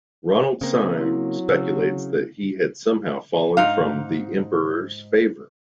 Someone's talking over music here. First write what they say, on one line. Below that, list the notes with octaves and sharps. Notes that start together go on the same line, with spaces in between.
Ronald Syme speculates that he had somehow fallen from the Emperor's favour.
C#3 A#3 C4
F#3 C4 E4
C#3 E6
G#2 D#4 F5